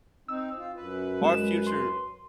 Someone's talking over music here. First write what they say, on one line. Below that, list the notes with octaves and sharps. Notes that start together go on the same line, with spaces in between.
Our future
C4 D#4 E6
F4
F#2 B4
G#3 E7
C6